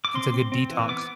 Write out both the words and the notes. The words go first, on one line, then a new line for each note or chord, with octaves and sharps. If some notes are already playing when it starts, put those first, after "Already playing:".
it's a good detox.
D6
C4 C6
C4
C4
E3
B3 D6